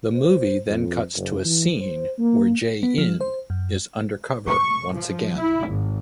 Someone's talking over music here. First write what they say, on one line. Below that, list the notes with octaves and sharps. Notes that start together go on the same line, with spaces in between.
The movie then cuts to a scene where Jae-in is undercover once again.
C5
F2
F#1
E3
C5
A#3
B3
F3
C5
F#2
C#6
F3
E4
G#1